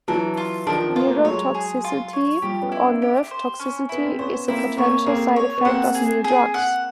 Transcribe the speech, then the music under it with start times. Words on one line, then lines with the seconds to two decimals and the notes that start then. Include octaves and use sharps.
Neurotoxicity, or nerve toxicity, is a potential side-effect of new drugs.
0.08 E3 F#3 D4
0.37 F4
0.67 D#3 F3 D4
0.88 C4
0.96 B3 F4
1.07 A#3
1.16 A3
1.25 F#3 G#3 C#5
1.55 G#4
1.84 F4
2.13 C#5
2.42 F3 G3 G4
2.62 B3 C#4
2.72 E4
2.82 C4 D4
3.02 G4
3.31 C5
3.60 C#4
3.89 B3 E4
4.05 C4
4.19 B3 C#4 C5
4.48 A#3 C4 E4
4.77 A#3 C4 C#5
5.06 A#3 C4 G#4
5.36 C#5
5.58 B3
5.65 A#3 C4 F#5
5.95 G#4
6.24 G#4
6.54 F#5